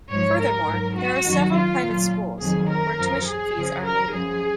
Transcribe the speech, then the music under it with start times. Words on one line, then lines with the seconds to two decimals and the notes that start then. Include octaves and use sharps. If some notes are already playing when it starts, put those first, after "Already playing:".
Furthermore, there are several private schools, where tuition fees are needed.
0.10 G#2 F3 C#5
0.39 A#4
0.67 G#2 F#3
0.97 F#4
1.26 F#2 D#3 F#3
1.54 F4
1.82 A#2 F#3
2.40 F2 D#3 F#3 G#4
2.69 A#4
2.98 F#2 F3
3.26 G#4
3.56 F#2 C#3 F3
3.84 A#4
4.12 F#2 F3 G#4